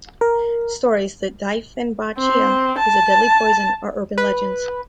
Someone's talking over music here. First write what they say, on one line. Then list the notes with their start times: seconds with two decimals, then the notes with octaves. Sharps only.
Stories that "Dieffenbachia" is a deadly poison are urban legends.
0.21 A#4
2.18 C4
2.78 A5
4.18 B4